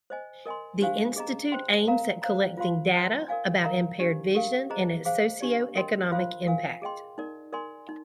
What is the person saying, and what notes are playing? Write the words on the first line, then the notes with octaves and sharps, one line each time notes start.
This institute aims at collecting data about impaired vision and its socio-economic impact.
C5 D#5 G#5
A#4 D#5 G#5 C6
D4 G4 C5 F5 G#5
G#4 D#5 A#5
C5 G5 C6
A#4 F5 A#5
C5 F5 A#5
F4 C5 F5 C6
C5 G5 C6
A#4 D5 F5 G#5
A#4 F5 A#5
D4 G4 D5
G4 A#4 F5
G#4 C5 D#5 A#5
G#4 C5 F5
D4 G4 D5
A#4 D#5 G5 C6
F4 C5 F5 C6
A#4 F5 G#5
G#4 D#5 G5 C6
D#4 A#4 D5
A#4 D5 G#5 C6
D#4